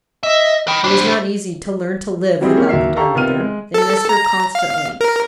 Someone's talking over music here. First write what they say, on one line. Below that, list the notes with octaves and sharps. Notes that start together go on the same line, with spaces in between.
It was not easy to learn to live without the dear mother; they missed her constantly.
D#5 E5
D#5 G5 B5
D4 C5
F#3 G3 C4 E4 G4 G#4
A#3 C#4
D#2 F#3 A#4 E5 C7
G4 A4 F5 A#5 C#6
C3 D#3 B3 F4 F6 D#7
G#3
A4
A#5
F5
A#4